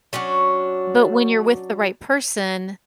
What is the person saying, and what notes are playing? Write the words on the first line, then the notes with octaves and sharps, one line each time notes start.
but when you're with the right person,
F#3 C#4 D4 F#4